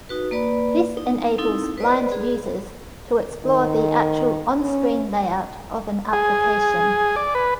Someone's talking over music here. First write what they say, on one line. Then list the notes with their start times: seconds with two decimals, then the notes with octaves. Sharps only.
This enables blind users to explore the actual on-screen layout of an application.
0.09 D#4 F#4 B4
0.31 A#3 B4 D5 B5
0.97 D#4
1.38 C4 D#4 E4 A4
1.78 B4 C5 D5 D#5
2.12 G#4
3.45 D#3
4.64 C#4
6.13 G#4
7.16 D5
7.35 B4